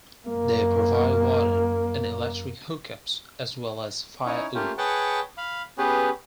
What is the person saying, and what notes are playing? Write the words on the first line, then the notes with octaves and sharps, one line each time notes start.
They provide water and electric hookups as well as firewood.
F#2 A#3
C#4 D#4 E4 C#5
A3 A#3 C#4 F4 G4
G#4 B4 C#5 F#5 G5 A5
F5 B5
B3 C#4 G4 G#4 B4